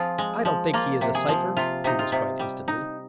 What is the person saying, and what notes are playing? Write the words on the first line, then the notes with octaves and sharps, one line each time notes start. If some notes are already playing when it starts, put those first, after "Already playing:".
"I don't think he is a cypher," Tootles cried instantly.
Already playing: F3 C4 F4 G#4
G#3
F3
A#3 F4
C3
G#4
F3
C3 F4
C3 D#4
F4
C3
G3
D#4